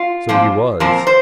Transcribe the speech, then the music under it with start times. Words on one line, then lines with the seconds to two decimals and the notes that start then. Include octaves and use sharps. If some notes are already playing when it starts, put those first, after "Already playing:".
So he was.
Already playing: F4
0.29 A#2 F3 C4
0.80 A#2 F3 C4 A#4
1.07 C5